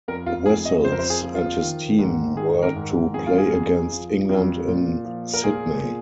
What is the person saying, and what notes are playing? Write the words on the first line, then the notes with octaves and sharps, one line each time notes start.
Wessels and his team were to play against England in Sydney.
F2 A#4
F4
F2 G#4
D#5
F2 C5
A#4
C5
G#4
F3
F4
D#3
G#2
D#3 G#4
A#4
G#2
F2 G#4
F4
G#4
F2
F3
F2
A#2
F3
A#4
A#2 G#4
A#2